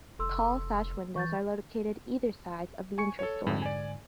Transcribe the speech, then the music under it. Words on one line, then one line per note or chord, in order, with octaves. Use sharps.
Tall sash windows are located either side of the entrance doors.
F1 A4 C6 E6
E3 C#6 G6 A6
G#5 C#6 C#7
A4 C#5
F2 G#2 D3
D5 G#5